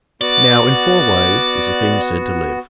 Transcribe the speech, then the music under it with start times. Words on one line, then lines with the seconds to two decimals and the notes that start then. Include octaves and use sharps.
Now, in four ways is a thing said to live.
0.21 B3 F#4 D5